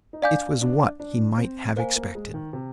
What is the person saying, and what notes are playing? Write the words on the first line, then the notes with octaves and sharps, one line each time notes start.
It was what he might have expected.
D#4
D4 D5 F5 G#5 D6 G6
D4
D4
C4
A#3 C5 F5 G#5
A#3
G#3
D#3
C3